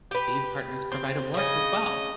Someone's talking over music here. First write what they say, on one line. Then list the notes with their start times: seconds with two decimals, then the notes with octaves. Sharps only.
These partners provide awards as well.
0.11 G4 B4
0.92 C4
1.34 C#3 C#4 D#5